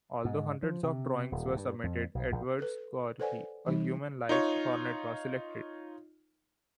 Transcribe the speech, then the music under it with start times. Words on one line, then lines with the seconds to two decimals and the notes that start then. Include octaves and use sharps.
Although hundreds of drawings were submitted, Edwards' Corky, a "human-like" hornet was selected.
0.25 G#2
0.63 F3
0.83 C3
1.32 D#1
1.56 G2
1.83 F2
2.15 B1
2.32 A#1
2.59 A4 B4
3.20 A4 B4 C5 D5 F#5 G#5
3.66 E3 G3 D#4
4.29 D#4 F4 C#5